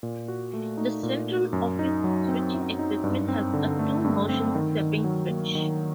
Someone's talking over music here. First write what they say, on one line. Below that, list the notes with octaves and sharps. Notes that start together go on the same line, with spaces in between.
The central office switching equipment has a two-motion stepping switch.
A#2
F#4
A3
D#4
A#2
F#4
F#2
D#4
F#3
C4
F#2
D#4
G2
C4
D3
A3
G2
C4
D#3
D#3
F#3
A#3
D#3